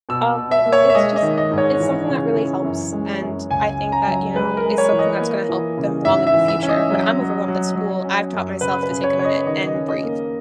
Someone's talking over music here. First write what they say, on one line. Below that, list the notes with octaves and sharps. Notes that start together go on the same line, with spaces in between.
Um, but, it's just it's something that really helps, and I think that, you know, it's something that's gonna help them long in the future, when I'm overwhelmed at school, I've taught myself to take a minute and breathe.
B2 E6
B2
E5
A#3
C#5
E5
G#3 D#5
D#5
D#3
D#5
G#2
C#5
E3
C#3
E3
F#2
G#3
F#2
C#2 G#5
C#4
A#5
F#3
G#3 B4
A#4
G#3
C#5
E3
D#5
A#3
E3
C#3
G#2 E5
E5
E3
E5
C#4
D#5
F#3
F#3
F#3
F#3
C#4
F#2
C#3 B4
B4
C#3
C#5
C#3 C#5
D#5
D#3 D#5
D#5
C#4
D#5
A#3